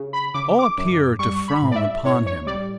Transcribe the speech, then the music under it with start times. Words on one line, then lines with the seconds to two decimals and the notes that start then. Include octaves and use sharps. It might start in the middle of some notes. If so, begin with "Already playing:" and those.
All appear to frown upon him.
Already playing: C#3
0.13 B5
0.34 C#3 D6
0.59 D6
0.77 F#2
1.19 G3 C#6
1.48 B5
1.62 A2
1.71 D5
1.76 E5
2.05 A2 C#5
2.26 C#5
2.47 G3 D5